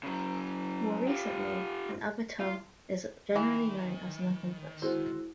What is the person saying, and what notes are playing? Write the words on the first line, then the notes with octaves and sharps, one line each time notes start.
More recently, an abettor is generally known as an accomplice.
C#3 F#3
F4 G4
F4
D#3 E3
G#3 E4 F#4 C5